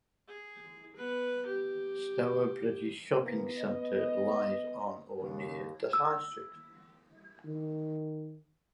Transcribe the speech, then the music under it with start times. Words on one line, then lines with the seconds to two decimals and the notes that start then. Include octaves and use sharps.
Stourbridge's shopping centre lies on or near the High Street.
0.28 G#4
0.96 B3 B4
1.46 G4
3.20 C3 E3 A#3 B3
3.58 D#5
5.21 D#2 C#3
5.93 E6
7.45 D#3